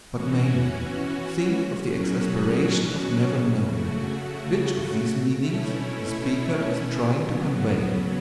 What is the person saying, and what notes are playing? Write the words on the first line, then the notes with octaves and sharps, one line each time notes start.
But mainly, think of the exasperation of never knowing which of these meanings the speaker is trying to convey.
E3 C#4 F#4
B2 F#3 C#4 F#4
C#3 A3 F#4
B2 A3 C#4 E4
C#3 F#3 B3